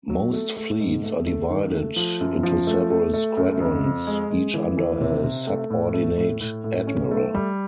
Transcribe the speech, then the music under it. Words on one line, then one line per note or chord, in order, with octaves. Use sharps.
Most fleets are divided into several squadrons, each under a subordinate admiral.
F#3
A3
A3
G#2
A3
A3
D#3
A3
F3
F#2
F3
A3
A3
A3
F#2
F2
F2
G#3
G#3
E3
E3
C3
C3
A3
A2
A3
A2
A2
A2
C#4
A3
G3